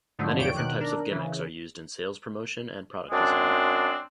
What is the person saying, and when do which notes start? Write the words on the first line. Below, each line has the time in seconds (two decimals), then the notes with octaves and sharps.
Many different types of gimmicks are used in sales promotion and product design.
0.19 G#2 D3 F3 F#3 A3
0.38 E2 A#2 C#5 D5 G5 D7
0.57 B2 D#3 F#6
0.80 D4 A#4
1.11 C#3 E3
3.11 F#2 G#3 C4 D4